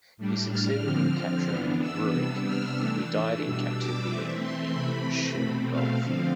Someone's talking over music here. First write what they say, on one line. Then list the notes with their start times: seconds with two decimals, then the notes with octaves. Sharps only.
He succeeded in capturing Rurik, who died in captivity in Chernigov.
0.17 A2 G3 D4
0.51 F6
0.82 D3 F3 C4
1.48 E3 B3 D4
1.81 E6
2.13 C3 G3 B3 D4 E6
2.46 F6
2.78 E3 A3 D4 E6
3.44 B2 G3 D4
3.76 D6
4.08 E3 A3 C4 E5
4.41 C6
4.74 C3 E3 A3 C4 B5
5.40 B2 A3 C4
5.71 F5
6.04 D3 F3 C4